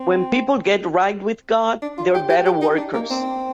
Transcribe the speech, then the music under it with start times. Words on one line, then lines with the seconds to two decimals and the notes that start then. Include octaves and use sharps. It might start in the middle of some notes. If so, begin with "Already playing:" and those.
When people get right with God, they are better workers.
Already playing: C4
1.82 D4
1.98 F4
2.15 G4
2.30 G4
2.46 G4
2.62 D#4
2.78 D4
2.94 A#3
3.10 C4